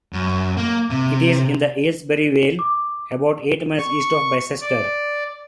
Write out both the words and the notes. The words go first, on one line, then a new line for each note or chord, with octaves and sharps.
It is in the Aylesbury Vale, about eight miles east of Bicester.
F#2
A#3
C3
D6
C#6
D5